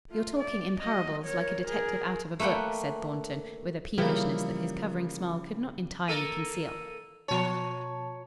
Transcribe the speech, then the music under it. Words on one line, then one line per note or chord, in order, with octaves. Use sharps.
"You're talking in parables, like a detective out of a book," said Thornton, with a peevishness that his covering smile could not entirely conceal.
A3 F4
D5
F#4 D#5
A#4 C#5
G#4 A#4
A3 A#3 B4 F#5 G5
C#3 E3 F3 G3 A#3 B3 E4 G5
A#3 A4 A#4 E6 D#7
B2 F3 C#5 A5